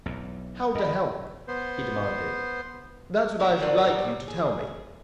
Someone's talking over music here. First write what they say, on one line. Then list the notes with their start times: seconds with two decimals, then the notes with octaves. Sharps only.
How to help?" he demanded "That's what I should like you to tell me.
0.06 B1 E2
0.75 E2 D#5 B5
1.48 B3 C5
3.40 E2 A#2 E4 A#4
3.62 B3 C4 D4 F#4 A#4 B4
3.85 A#2 G3
4.28 G#4